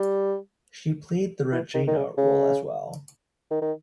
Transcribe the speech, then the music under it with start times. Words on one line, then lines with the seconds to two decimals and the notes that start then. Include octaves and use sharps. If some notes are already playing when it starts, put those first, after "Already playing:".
She played the Regina role as well.
Already playing: G3
1.52 E3
1.74 D#3
1.87 D#3
1.96 C#3
2.18 C#3
3.51 D#3
3.62 D#3